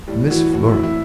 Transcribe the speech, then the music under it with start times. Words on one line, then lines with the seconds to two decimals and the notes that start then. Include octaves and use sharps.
Miss Flora!
0.08 A2 G3
0.30 E3 F#4
0.53 A2 F#4
0.68 E4
0.75 E3
0.83 E4